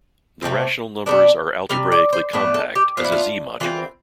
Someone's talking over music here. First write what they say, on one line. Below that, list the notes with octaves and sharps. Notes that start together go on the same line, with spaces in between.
The rational numbers are algebraically compact as a Z-module.
C3 F3 A3 C4
C3 G3 B3 D4 D5
C3 G3 F5
D5
C5
A2 F3 B3 D4 B4
A4
G4
A2 F3 B3 D4 F4
E4
F4
E3 G3 C4 F4